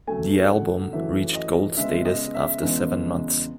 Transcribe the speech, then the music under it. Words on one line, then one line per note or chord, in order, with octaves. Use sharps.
The album reached Gold status after seven months.
C#3 F#3 A3 G#5
F#5
F#2 E3 A3 E5
D#5
C#3 G#3 B3 E5
D#5
E5
E2 C#3 G#3 B3